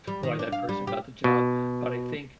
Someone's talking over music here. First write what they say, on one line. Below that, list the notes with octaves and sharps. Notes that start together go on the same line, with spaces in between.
why that person got the job, but I think
G3
D#3
D4
F5
G3
G4
B2